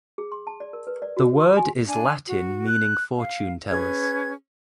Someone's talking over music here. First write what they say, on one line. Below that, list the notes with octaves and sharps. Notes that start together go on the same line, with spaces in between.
The word is Latin meaning fortune tellers.
G#4
C6
A5
D5
A#4
B4
D5
F#4
C6
G#5
D4 G#5
F#4
F#6
F5
C#4 G#4 B4 G#6